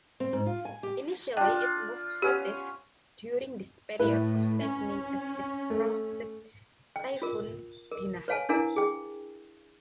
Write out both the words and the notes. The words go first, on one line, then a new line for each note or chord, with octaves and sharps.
Initially it moved southeast during this period of strengthening as it approached Typhoon Dinah.
C4
G#2
F4
G#5
G4
D4 F4 G5
B3 C#4 G4
A2 E4 B4
C#4
A3
G5
F4 A#4
A#4
B4 C#5 F5 G#5 A5
D4 E4 A#4 F5 G#5 A#5
G#4 G5